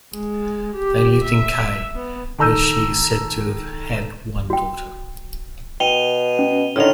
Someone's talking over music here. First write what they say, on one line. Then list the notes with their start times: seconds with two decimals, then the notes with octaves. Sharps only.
They lived in Kai, where she is said to have had one daughter.
0.13 G#3
0.76 G4
1.24 E5
1.95 B3
2.38 D#3 A4 A#5 E6 G6 D#7
4.50 F#4 G5
5.80 B2 G5 D#7 F7 G7
6.39 C#4
6.76 A2 D3 D#3 F6 F7